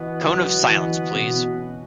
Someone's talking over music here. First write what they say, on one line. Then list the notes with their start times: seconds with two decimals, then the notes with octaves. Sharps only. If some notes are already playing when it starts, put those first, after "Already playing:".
Cone of silence, please.
Already playing: E3 B3 F#4 B4 D#5
0.24 F#3
0.69 E3
1.15 B2